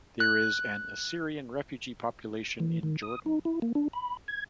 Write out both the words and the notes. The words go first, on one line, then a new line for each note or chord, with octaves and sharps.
There is an Assyrian refugee population in Jordan.
F#6
E3
D#3
D#6
D#4
E4
A#3
D4
B5
G#6